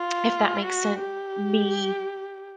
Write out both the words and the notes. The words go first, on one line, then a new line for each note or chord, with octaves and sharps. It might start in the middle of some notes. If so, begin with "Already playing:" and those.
if that makes sense. Me,
Already playing: F4
F#4
G4